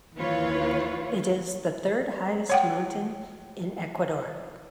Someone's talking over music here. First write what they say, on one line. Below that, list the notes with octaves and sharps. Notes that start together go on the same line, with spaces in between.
It is the third highest mountain in Ecuador.
D#2 E3 F4 B4 C#5
C#5 F#5 G5